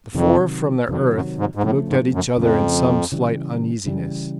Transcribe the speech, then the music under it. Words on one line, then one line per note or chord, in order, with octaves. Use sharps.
The four from the earth looked at each other in some slight uneasiness.
F2 C3 D#3 F#3
F2 C3 D#3 F#3
F#2
G#2
G#2
A2 C#3 F3 A3
G#2
F#2
F2 C#3 F3 A3
C#3 E3 G3
C#3 E3 G3